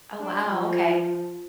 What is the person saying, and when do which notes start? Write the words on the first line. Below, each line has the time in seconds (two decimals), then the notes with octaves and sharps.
Oh, wow. Okay.
0.20 D4
0.49 F3